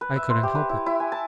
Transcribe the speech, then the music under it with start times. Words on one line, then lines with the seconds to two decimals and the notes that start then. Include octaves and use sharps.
I couldn't help it.
0.01 B4
0.16 E5
0.30 C5
0.43 G4
0.55 B4
0.69 E4
0.86 E4
1.00 G#5
1.12 A5